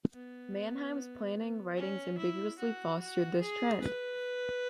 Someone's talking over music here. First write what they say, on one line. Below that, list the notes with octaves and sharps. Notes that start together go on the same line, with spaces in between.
Mannheim's "planning" writings ambiguously fostered this trend.
B3
C#4
E4
F#4
F#4
G#4
B4